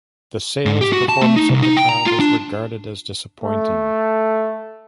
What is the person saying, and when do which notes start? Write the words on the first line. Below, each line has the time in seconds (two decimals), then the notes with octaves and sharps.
The sales performance of the car was regarded as disappointing.
0.66 G#2
0.81 G4
0.93 F#4
1.09 A5
1.22 A3
1.36 D#4
1.50 C2
1.62 D#4
1.77 G5
1.89 A#5
2.06 F4
2.20 D4
3.44 A3